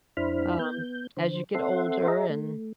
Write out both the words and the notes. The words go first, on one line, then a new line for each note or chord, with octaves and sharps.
Um, as you get older and
F2 D4 E4 C5 B5 F6
B3 G6
D3 C5
C4 A4 E5 F#5 C6
G#4 D#5 E5 A#5
A3